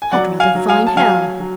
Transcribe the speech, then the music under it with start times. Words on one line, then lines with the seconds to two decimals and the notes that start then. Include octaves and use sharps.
I'd rather find hell!
0.02 G#5
0.12 F#3 D5 F#5
0.40 F5 G#5
0.55 F#3
0.69 F5 G#5
0.87 A5
0.97 F#3 F5 G#5
1.40 F#3